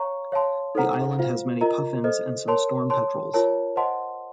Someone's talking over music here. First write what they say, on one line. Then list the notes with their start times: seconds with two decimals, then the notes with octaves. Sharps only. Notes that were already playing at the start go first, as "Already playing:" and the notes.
The island has many puffins and some storm petrels.
Already playing: C#5 F5 A#5 C#6
0.32 C#5 F5 A5 C6
0.75 D#4 A4 C5 F#5 A#5
1.19 F4 C5 F5
1.61 F4 A#4 D#5 A#5
2.04 A4 C5 D#5
2.48 A#4 C#5 A5 C6
2.90 C#5 A5 C6
3.34 F4 A#4 C#5 A5
3.76 C5 D#5 F#5 A5 C6